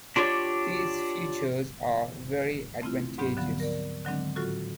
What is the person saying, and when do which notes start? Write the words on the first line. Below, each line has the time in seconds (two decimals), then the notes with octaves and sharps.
These features are very advantageous.
0.16 D4 F4 G4 C#5 D5
2.82 A3 C4 E4 F4
3.18 D2 G#2 F#3 B3 D4 G4
3.37 D3 F3 F#3 B3
3.60 A#4 D5
4.05 D3 D#3 F#3 G#3 C4 D4
4.35 A2 F#3 F4 F#4 A4 C#6